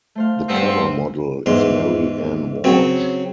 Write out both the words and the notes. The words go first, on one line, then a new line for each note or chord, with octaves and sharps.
The cover model is Mary Ann Walsh.
A3 C5 F5
G2 G3 B3 C4 C5
E2 G#2 C6
C#3 F#3 C4